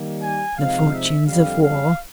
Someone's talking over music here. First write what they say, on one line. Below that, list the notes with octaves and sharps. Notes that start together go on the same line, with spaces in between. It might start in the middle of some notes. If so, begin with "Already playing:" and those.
"The fortunes of war ..."
Already playing: D#3 G3 A#3
G#5
C3 F3 G#3 C4 D#4 F5
E5
F2 D3 G3 F5
F5